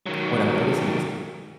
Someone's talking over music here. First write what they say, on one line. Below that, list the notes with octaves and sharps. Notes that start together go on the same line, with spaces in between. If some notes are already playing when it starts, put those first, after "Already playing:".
what I'm noticing is,
D#3 F#3